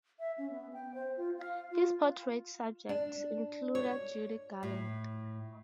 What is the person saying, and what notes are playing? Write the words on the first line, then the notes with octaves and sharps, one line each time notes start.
His portrait subjects included Judy Garland.
E5
C#4
B3
G5
C5
F4
F5
F4
D4
C#5
A2